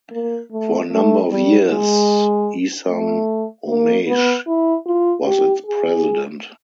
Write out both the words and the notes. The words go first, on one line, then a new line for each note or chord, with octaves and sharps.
For a number of years, Esam Omeish was its President.
A#3
A3
A3
G3
G#3
A3
A#3
B3
E4
F4
G4
G#4